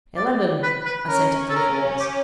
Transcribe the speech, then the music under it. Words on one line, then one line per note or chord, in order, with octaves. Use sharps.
"Eleben!" assented the little ones.
D5
B4
B4
C#4 A#4
A4
A#4
G4